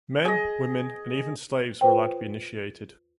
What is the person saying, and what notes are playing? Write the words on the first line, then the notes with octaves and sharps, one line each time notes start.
Men, women and even slaves were allowed to be initiated.
G#4 D#5
F4 B4 C5 G5